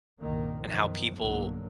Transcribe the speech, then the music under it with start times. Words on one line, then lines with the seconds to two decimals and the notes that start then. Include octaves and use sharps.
and how people
0.21 C2 G2 A#2 D#3 A#3
0.62 F#2 B2 D#3 F3
1.15 B1 G2 D3 F#3 A#3